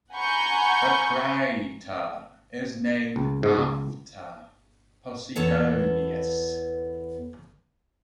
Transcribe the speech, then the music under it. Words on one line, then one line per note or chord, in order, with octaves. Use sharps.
The crater is named after Posidonius.
F#5 G#5 A#5 B5 C#6 G6
C#2
G#2
C#2
E2 B3 A4 C#5 A5